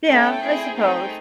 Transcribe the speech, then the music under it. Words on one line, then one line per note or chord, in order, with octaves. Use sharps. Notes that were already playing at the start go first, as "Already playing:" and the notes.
Yeah, I suppose.
A3 C#4 E4 A4 G5
C4 E4 G#4
A3 C4 D#4 G#4 G5